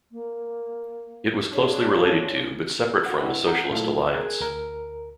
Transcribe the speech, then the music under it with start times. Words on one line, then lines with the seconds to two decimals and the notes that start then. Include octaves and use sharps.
It was closely related to, but separate from the Socialist Alliance.
0.12 A#3
1.53 D4 F4 G#4 C#5
3.06 F#4 F#5
3.20 D4 E4 G4 B4 F#5
3.47 F#5 A#5 G6
3.71 A#2 F#3 A3 A#3 E4 F4
4.14 G#4 A#4 F#6 G#6
4.40 D2 A#4